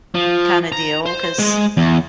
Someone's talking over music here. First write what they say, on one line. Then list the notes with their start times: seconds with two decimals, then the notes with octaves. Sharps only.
kinda deal 'cause
0.15 F3
0.72 A#5
1.06 C5
1.39 G#3
1.77 E2